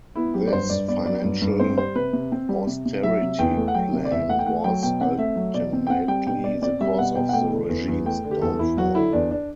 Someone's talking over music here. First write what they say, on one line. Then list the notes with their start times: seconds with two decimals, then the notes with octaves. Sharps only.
This financial austerity plan was, ultimately the cause of the regime's downfall.
0.15 B3 E4
0.34 F#3 G4
0.47 D5
0.52 G2 C5
0.70 G2 D5
0.88 B3 D5
1.06 F#3 D5
1.24 G2
1.42 G2
1.60 C4 C5
1.78 G3 C5
1.95 C3 B4
2.13 C3
2.32 C4
2.49 G3
2.67 C3
2.85 C3
3.03 F#3 E5
3.22 C3
3.39 E2 G5
3.57 A3
3.68 F#5
3.75 F#3 G5
3.93 C3
4.05 D5
4.11 E2 E5
4.28 A3 F#5
4.39 G5
4.46 A3 F#5
4.64 F#3 G5
4.83 B2 G5
5.01 C4 F#5
5.18 A3 E5
5.36 F#3
5.54 B2 D5
5.73 C4
5.87 G5
5.90 C4 F#5
6.08 G3 G5
6.26 B2 G5
6.44 B2 D5
6.62 C4 D5
6.81 G3 E5
6.98 B2 F#5
7.15 B2 G5
7.29 F#5
7.33 A3 G5
7.52 D3
7.69 E2
7.88 E2
8.05 A3 G5
8.24 D3
8.31 G4
8.41 E2 A4
8.59 E2 E4
8.77 F#3 F#4
8.95 D3 E4
9.13 E2 D4
9.31 D4